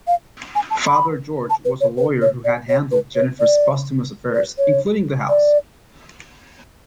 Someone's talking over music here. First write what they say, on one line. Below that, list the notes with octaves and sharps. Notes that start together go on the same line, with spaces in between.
Father George was a lawyer who had handled Jennifer's posthumous affairs, including the house.
F5
G#5
A5
B5
A5
B4
C#5
B4
C#5
D5
C#5
B4
C#5
D5
D5
C#5
D5